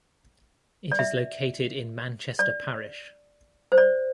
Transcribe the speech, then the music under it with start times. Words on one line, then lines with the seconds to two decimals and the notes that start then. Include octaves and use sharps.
It is located in Manchester Parish.
0.92 D5
0.99 E5
2.39 D5
3.72 C5
3.78 D5